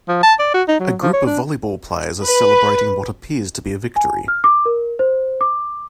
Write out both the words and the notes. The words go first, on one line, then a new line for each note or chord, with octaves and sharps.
A group of volleyball players are celebrating what appears to be a victory.
F3
A5
D5
F#4
D#4
F#3
F3
C#5
D4
B4
G#5
F6
D6
A#4
C5
D6